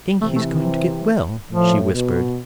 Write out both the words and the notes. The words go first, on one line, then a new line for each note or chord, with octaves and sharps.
"I think he's going to get well," she whispered.
C3 E3 A3
A3
A2 F3
B2